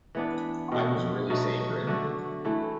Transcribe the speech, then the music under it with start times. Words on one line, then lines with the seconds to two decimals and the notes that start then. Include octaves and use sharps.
I was really sacred!
0.15 E3 B3 D4
0.72 B2 A3 F#4
1.30 B2 F#3 A3
1.87 D3 A3 F#4
2.45 E3 A3 E4